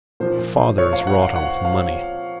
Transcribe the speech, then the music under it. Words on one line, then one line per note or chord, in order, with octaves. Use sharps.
The father is rotto with money.
A#2 F3 C5
C#5
F5
F#5
F5
F#5
F5